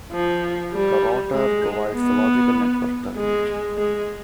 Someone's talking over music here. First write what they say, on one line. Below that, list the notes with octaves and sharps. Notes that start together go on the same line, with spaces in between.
The router provides the logical network termination.
F3
G3
G#3
B3
G#3
G#3